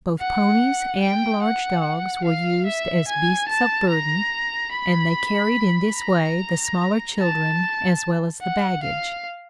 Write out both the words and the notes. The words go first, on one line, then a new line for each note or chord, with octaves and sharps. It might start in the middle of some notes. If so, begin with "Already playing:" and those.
Both ponies and large dogs were used as beasts of burden, and they carried in this way the smaller children as well as the baggage.
F#5
G5
F#5
F5
E5
G#5
A5
A#5
B5
A#5
A5
F#5
F5